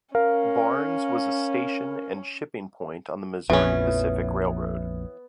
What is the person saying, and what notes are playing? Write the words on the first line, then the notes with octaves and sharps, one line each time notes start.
Barnes was a station and shipping point on the Missouri Pacific Railroad.
C#4 A#4 F5
A#1 F2 E3 B3 C#4 E5